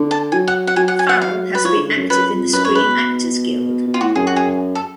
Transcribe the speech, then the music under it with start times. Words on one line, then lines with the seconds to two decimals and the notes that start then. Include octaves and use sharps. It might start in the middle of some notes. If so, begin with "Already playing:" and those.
Farrell has been active in the Screen Actors Guild.
Already playing: D3
0.11 A5
0.32 F#3 G#5
0.48 F#5
0.67 F#5
0.76 F#3 G#5
0.88 F#5
0.99 G#5
1.09 F#5
1.22 F5
1.55 B4
1.65 F3 C#5
1.76 D3
1.87 D3
1.98 F#2
2.10 F#2 B4
2.31 F2
2.53 F#2 B4
2.65 F#2 C#5
2.75 B4
2.83 B2
3.87 B2
3.94 F4
4.01 A2 F#4
4.15 F#2 G#4
4.27 F#4
4.36 G#4
4.75 A4